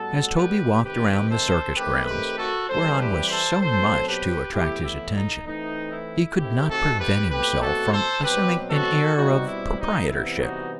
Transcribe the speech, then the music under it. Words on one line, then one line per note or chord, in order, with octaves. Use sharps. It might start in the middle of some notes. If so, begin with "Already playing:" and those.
As Toby walked around the circus grounds, whereon was so much to attract his attention, he could not prevent himself from assuming an air of proprietorship.
Already playing: A2 G3 B3 F#4 A4
G4 B4
C3 D#3 A3 C4 G4 B4
A4 C5
D#3 A3 C4 G4 B4
G4 B4
F#4 A4
E3 G3 C4 A4 C5
G4 B4
A4 C5
B2 F#3 C4 A4 C5
G4 B4
A2 E3 B3 E4 G4
E4
D#4
E3 A3 C4 D#4
E4
C3 D#3 A3 C4 E4 G4
F#4 A4
G4 B4
B2 A3 C4 G4 B4
F#4 A4
A4 C5
B2 F#3 C4 G4 B4
F#4 A4
B2 G3 C4 D#4 F#4
E4
D#4
C3 E3 G3 B3 E4
D#4 F#4